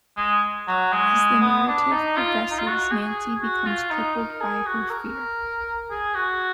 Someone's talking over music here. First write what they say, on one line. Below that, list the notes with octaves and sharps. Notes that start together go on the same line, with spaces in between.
As the narrative progresses, Nancy becomes crippled by her fear.
G#3
F#3
G#3
B3
D4
D#4
F4
D#4
F4
F#4
G#4
F#4
F4
D#4
A#4
G#4
F#4
A#4
G#4
F#4